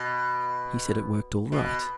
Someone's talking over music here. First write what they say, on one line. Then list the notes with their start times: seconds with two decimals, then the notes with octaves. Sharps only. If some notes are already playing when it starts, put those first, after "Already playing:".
He said it worked all right.
Already playing: B2
1.52 B2